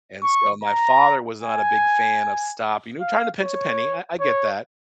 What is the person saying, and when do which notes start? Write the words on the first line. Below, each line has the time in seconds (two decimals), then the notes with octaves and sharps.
and so, my father was not a big fan of stopping, no trying to pinch a penny, I I get that.
0.23 C#6
0.63 A#5
1.43 G#5
3.01 F5
3.41 C#5
4.20 C#5